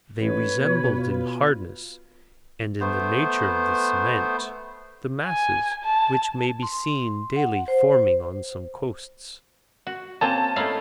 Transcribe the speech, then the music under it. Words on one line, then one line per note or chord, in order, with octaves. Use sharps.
They resembled in hardness, and in the nature of the cement, the masses which may be seen daily forming on some coasts.
A1 B4 C#5
B2
F4
A3 B3 C5
G#5
A5
C6
F#5
C5
F#4
A#3 C4 C#4 G#5 A5
A3 C#4 D#4 E4 F5